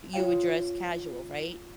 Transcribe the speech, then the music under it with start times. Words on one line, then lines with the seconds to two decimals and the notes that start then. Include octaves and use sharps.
you would dress casual, right?
0.13 F4 C#5 F5 G5